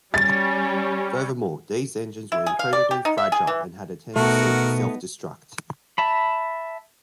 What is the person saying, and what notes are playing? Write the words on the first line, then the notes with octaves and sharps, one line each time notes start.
Furthermore, these engines were incredibly fragile and had a tendency to self-destruct.
G3 C#4 A6
E4
G#4
F5
D5
G4
D#4
E5
G#4
E3
B2 A3 B3 D#4 F#4 A#4
E5 A5 B5